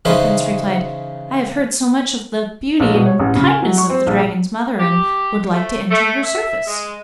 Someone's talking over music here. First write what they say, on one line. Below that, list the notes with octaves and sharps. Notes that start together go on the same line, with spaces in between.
The Prince replied, 'I have heard so much of the beauty and kindness of the Dragon's Mother, and would like to enter her service.'
C#3 E3 C#4 D#4 B4 C5
A#1
B2
C#5
A1
C#3
G#5
F#3
C#6
C4
A#1
G4
A3
A3
E5
G#3